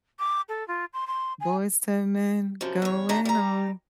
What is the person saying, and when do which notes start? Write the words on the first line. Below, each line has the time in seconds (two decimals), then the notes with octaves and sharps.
Boyz II Men going on
0.19 D6
0.49 A4
0.68 F4
0.94 C6
1.07 C6
1.41 G#5
2.61 F#2 C3 F3
2.82 E2 C#5
3.09 D#2 D3 A3 G4 A#5
3.25 G3 A#5